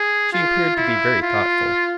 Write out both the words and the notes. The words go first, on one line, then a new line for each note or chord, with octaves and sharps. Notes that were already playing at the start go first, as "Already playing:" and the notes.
She appeared to be very thoughtful.
Already playing: G#4
F4
E4
F4